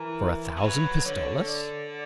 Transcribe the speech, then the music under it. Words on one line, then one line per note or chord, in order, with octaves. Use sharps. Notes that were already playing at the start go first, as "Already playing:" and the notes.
"For a thousand pistoles?"
Already playing: E3 A#4
E3
F#3 B4
D3 C#5
D5